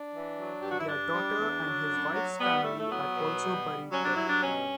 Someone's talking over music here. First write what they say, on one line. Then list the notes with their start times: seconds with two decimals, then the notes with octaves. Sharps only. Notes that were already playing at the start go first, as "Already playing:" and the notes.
Their daughter and his wife's family are also buried there.
Already playing: D4
0.11 E3
0.36 F#3
0.61 G2 G4
0.70 F#4
0.78 E4
0.87 G2 D4
1.12 G3
1.37 E2
1.63 F#3
1.88 F#2
2.13 F#3
2.38 G3 B3
2.64 A2 A3
2.79 A3
2.89 F#3 B3
3.14 B2
3.40 G3
3.65 G3
3.90 F#3 C#4
4.04 D4
4.15 G2 E4
4.28 D4
4.41 B2 C#4